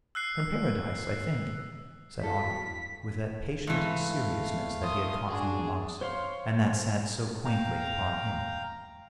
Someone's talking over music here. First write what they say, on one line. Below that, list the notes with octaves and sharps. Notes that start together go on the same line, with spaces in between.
"From paradise, I think," said Otto, with that patient seriousness that he had caught from the monks, and that sat so quaintly upon him.
E6 F#6 C7
E4 F#4 A4 F5 B6
G#2 E3 A3 F5
C6 D#6
D4 F#4 G#4
C5 C#5 F5 C6
F5 G5 A#5